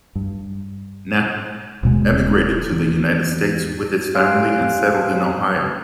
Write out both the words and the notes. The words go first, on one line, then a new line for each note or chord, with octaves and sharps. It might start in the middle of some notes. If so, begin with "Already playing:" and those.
Knappe emigrated to the United States with his family and settled in Ohio.
G2
D#1 B2 G#3
E2
G4 F5 G#5 C6 F#6 D7